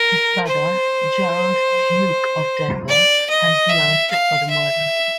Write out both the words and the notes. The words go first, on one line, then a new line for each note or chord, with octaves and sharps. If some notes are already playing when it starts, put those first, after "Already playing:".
His brother, Gerald, Duke of Denver, has been arrested for the murder.
Already playing: A#4
C5
D5
D#5
E5
F5
E5